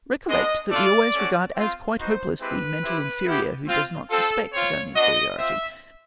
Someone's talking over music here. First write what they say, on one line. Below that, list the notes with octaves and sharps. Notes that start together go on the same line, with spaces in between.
Recollect that we always regard as quite hopeless the mental inferior who does not suspect his own inferiority.
G#3 B3 D4 D#5
A3 D4 F4 D5
A3 C#4 F#4
C4 F4
B3 D#4 F#4 C5
G#3 C4 E4 G4 B4
C4 E4 G4
B3 E4 G4
C4 F4
C4 F4 A4
C4 F4 C#5
B3 D4 F#4 D#5
C4 F4 E5